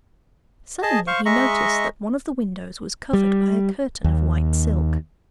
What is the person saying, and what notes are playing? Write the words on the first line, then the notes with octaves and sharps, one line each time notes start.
Suddenly he noticed that one of the windows was covered by a curtain of white silk.
G#4 D#5 A5
C5 F5 C#6
G#3 D#5 E5 A#5 C#6
G3
D#2